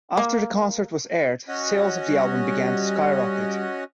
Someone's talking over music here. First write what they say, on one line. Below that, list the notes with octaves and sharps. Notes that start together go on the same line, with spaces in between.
After the concert was aired, sales of the album began to skyrocket.
A#3
C#4 F#4 D#5
G3